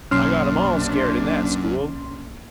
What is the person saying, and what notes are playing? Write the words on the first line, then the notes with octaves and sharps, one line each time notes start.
"I got 'em ALL scared in THAT school."
B1 F#2 C3 A#3 C#4 D4 C6 F6